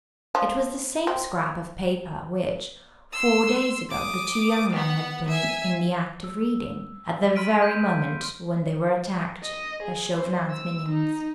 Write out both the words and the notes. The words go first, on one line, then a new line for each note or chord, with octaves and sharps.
It was the same scrap of paper which, four days ago, the two young men had been in the act of reading, at the very moment when they were attacked by Chauvelin's minions.
F3
C4
C6 E6
D6 D#6
B3 F#5
E5 G#5
E6
B5 C6 F6 B6 D7 D#7
G6
D#5
G#4
C5
E6
D#4